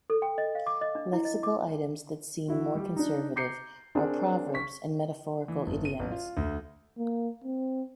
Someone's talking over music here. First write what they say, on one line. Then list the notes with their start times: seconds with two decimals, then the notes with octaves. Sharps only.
Lexical items that seem more conservative are proverbs and metaphorical idioms.
0.10 A4
0.22 G5
0.38 D#5
0.55 F5
0.67 D6
0.81 D#5
0.95 D4
1.13 E4
1.25 D#5
1.43 D6
2.48 E3 E4 F#4
2.75 G3 G4
2.96 D4 D#4
3.36 A#5 D6 G6 C7 C#7
3.95 C4 D4 G#4 A#4 C5
4.54 C#6 B6
5.48 E3
5.66 G1
5.85 D#7
5.99 A1
6.12 F4
6.37 D2
6.98 A#3
7.44 C4